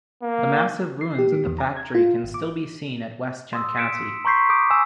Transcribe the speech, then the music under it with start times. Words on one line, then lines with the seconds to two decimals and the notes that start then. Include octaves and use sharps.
The massive ruins of the factory can still be seen at west Chandkati.
0.23 A#3
1.01 C7
1.19 G4
1.32 D#3
1.46 E2
1.59 A#5
1.77 G#6
1.95 F4
2.23 G#1
2.34 D6
3.53 C6 D#6 E6
3.77 B6 C#7 D7 E7
4.25 A#5 C6 C#6 G6 B6 C7
4.49 D6 D#6 G6 D7
4.70 G#5 E6 E7